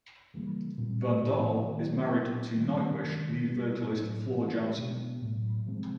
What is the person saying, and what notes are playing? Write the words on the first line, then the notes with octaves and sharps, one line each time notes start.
Van Dahl is married to Nightwish lead vocalist Floor Jansen.
C#3 E3 G3 A#3
A#2 G3 C4
A2 F3 A3
D#3 F#3 A3
A#2 F#3 B3 D4
D#3 G3 A#3 D4
C3 D#3 G#3 C#4
B2 G3 B3
A2 F#3 A3 D4
E3 A3 C#4
B2 G#3 B3 D4
A2 F#3 A3
C3 F3 G#3 C4